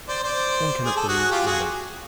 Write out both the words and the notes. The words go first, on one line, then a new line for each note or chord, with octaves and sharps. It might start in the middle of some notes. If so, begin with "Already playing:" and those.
One cannot believe in both.
C5 D5
C5 D5
G#4
A4
F#4 G#4
F4 G4
F#4 G#4